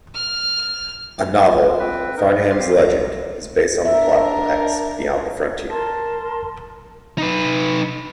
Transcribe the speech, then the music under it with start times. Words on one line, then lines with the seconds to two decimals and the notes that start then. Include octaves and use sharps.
A novel, "Farnham's Legend", is based on the plot of "X: Beyond the Frontier".
0.15 F6
1.44 F4
1.66 G#3
1.79 C4 B4
2.17 D#4 A#4 C5
2.50 G4 F5 C6
2.77 A#5
3.85 D4 A#4 E5
5.69 A#4 A5 C6
7.18 D#4 B4